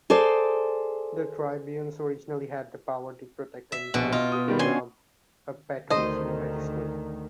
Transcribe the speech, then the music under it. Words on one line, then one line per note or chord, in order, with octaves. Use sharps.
The tribunes originally had the power to protect any plebeian from a patrician magistrate.
G#4 A4 C5 D5
E5
A#1 B2
F4 D#5
D#6
D#3 G3 B3
C#4 D4 F#4 G#5 C6
D2 D#3 C5 D#5